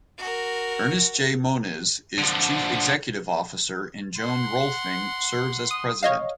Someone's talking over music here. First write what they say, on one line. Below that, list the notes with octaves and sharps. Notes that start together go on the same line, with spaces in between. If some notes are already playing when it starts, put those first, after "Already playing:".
Ernest J. Moniz is chief executive officer, and Joan Rohlfing serves as president.
F#4 A#4
D3 F3
F#5 C6
D#6
C#5 D#5 F5